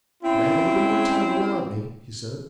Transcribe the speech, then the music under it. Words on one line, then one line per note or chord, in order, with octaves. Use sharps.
'But I have a little more time allowed me,' he said.
C4 C#4 E4